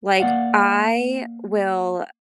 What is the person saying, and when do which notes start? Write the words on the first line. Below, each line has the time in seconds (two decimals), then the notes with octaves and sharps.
Like, I will
0.20 A#3 D5 F5 F#5